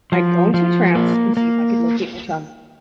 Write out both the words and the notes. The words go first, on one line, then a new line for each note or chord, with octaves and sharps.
I'd go into a trance and see if I could locate my chum.
F3
F3
A#3
A#3